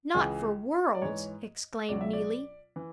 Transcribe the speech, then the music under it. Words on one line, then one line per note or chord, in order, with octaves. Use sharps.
"Not for worlds!" exclaimed Neelie.
C#2 C#3 E3 G#4
D5
G#2 E3 C#5
C#2 B2 F#3 D5
E5
D5
E3